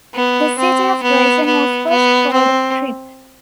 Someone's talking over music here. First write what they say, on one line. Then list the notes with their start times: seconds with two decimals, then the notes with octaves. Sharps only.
The city of Grayson was first called Trip.
0.14 B3
0.58 C4
1.02 B3
1.45 B3
1.89 B3
2.33 C4